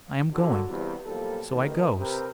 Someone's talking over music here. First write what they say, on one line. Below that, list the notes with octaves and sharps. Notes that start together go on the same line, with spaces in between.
I am going.' So I goes.
D3 D#3 F#3 F#4 A4
E2 G2 C3
B1 F3 G3 A#3 G4 A4
A1 D#3
C3 C4 G4 A#4 B4